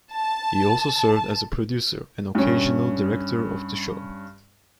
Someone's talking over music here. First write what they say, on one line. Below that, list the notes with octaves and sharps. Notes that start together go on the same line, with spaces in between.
He also served as a producer and occasional director of the show.
A5
G2 C#4